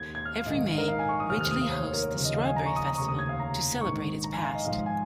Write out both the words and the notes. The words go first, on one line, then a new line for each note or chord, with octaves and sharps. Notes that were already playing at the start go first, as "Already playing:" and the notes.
Every May, Ridgely hosts the Strawberry Festival to celebrate its past.
Already playing: D#2 D#3 G#6
G#6
F6
F5
A#1 G#2 D#3 D#5
F5
D#5
A#4
F5
G#5
C#6
D#6
F1 D#2 D#3 F6
F6
D#6
F5
C#5
C#5
A#4
C#5
D#2 C#3 F3
D#5
F5
G#5
A#5
C#6
D#6
A#5
F1 D#2 C#3 C#6
D#6
G#6
F5
A#5
A#1 G#2 D#3 C#6
A#5
G#5
F5
D#5
G#1 G#2 F3 F5
G#5